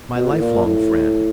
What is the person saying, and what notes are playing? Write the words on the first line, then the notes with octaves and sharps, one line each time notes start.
My life-long friend!
B2
A2
A#2
A2